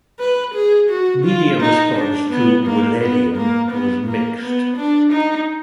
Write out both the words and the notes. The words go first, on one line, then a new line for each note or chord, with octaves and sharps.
Media response to "Willennium" was mixed.
B4
G#4
F#4
F4
D#4
D4
B3
A#3
B3
A#3
B3
A#3
B3
D4
D#4